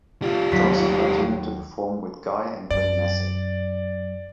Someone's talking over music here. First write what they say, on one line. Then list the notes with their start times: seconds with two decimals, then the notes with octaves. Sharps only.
Johnson continued to perform with Guy and Gwin Massey.
0.22 G3 F4
0.51 D#2 F#3 B6
2.71 F#2 D5